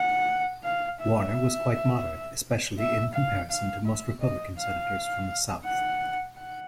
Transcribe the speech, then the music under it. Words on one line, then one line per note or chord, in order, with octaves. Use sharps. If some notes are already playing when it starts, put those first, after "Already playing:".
Warner was quite moderate, especially in comparison to most Republican Senators from the South.
Already playing: F#5
F5
E5
E5
F5
F5
E5
D#5
F5
F#5
F#5